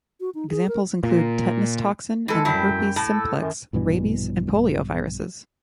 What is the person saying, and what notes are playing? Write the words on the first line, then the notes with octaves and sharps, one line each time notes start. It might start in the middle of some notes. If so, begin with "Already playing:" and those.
Examples include tetanus toxin and the herpes simplex, rabies, and polio viruses.
F#4
D#4
G#4
A#4
A#2
E3 G#3 A4
F#2 F#3 G3 E4 G5
A2 A5
A4
F#2 D#3
A#1 G2 B2 E3